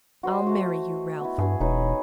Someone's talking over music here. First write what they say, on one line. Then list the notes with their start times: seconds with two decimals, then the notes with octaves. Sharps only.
I'll marry you, Ralph!...
0.23 F#4 C5 D#5
0.47 A3 F#4
1.20 B3 E4
1.38 G2 G#4
1.60 E1 D#4 B4 C#5